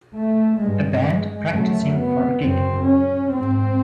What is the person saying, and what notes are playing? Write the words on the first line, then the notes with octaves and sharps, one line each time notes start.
A band practicing for a gig.
A3
G2 G#3
F#2 C#3 A3
B3
F#2 C#3 C4
C#4
G#2 C4